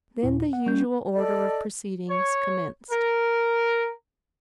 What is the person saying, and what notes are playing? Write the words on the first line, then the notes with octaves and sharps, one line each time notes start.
Then the usual order of proceedings commenced.
D#2 A#2 E4
F#5
G3 C#4 G6
A4 D5 D#5
C#5
A#4